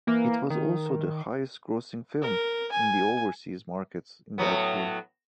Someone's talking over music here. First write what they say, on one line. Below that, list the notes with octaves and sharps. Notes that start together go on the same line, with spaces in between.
It was also the highest-grossing film in the overseas markets that year.
E3 A#3
D#3
A#4
G#5
A2 F#3 B3